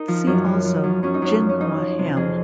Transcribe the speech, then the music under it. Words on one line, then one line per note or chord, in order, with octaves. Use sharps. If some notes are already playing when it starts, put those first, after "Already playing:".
"See also Jinhua ham".
Already playing: D#4 A#4
F3
F#2
F3
F3
F#2
F#2 C#4
D#4
F#2 C#4
F3
C#4
F2 D#4
F3
C3
F2 G#4